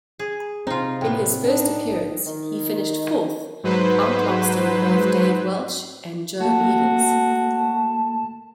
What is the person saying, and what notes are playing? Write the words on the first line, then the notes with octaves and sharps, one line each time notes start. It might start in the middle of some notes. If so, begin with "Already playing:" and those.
In his first appearance he finished fourth, outlasting both Dave Welch and Joe Beevers.
G#4
C3 C4 D#4 F4 A#5
A2 B3 G5
D4 D#4
D#3
G#2 F#3 B4 C5
A3 A#3 F#4 A5